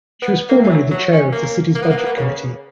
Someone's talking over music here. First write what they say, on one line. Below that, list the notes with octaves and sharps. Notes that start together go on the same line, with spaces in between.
She was formerly the Chair of the City's Budget Committee.
B3
A#3
E3
F#3
F#3
C#4
A#3
A#3
B3
A#3
B3
A#3
C#3